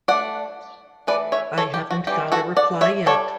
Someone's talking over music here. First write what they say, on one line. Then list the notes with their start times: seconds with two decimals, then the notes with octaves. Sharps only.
I haven't got a reply yet.
0.08 A3 D4 D5 F#5
1.07 E3 A3 E4 B4 D5
1.32 C#5 E5
1.58 A4 C#5
1.74 G4
1.91 F#4
2.07 E3 G3 C#4 G4
2.32 F#4 A4
2.57 D5 F#5
2.81 C#5 E5
3.06 G3 D4 A4 C#5